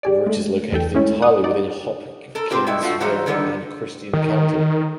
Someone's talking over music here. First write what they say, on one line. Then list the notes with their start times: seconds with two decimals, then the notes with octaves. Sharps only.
The route is located entirely within Hopkinsville and Christian County.
0.03 G4 G#4 D5
0.26 G#3 A3
0.72 E2 A4 G5
0.94 G#3 A3 C#4 E4
1.22 D5 F#5 D#6
1.44 D#4 D5
2.35 A4 A#4
2.51 C4 F4 G4 B4 C5
2.67 B2 G3 E4 G5
2.82 F3 A3 D4 F4 F#4
3.00 E3 F#3 G3 D#4 F4
3.26 D3 D#3 G3 B3
4.13 D#3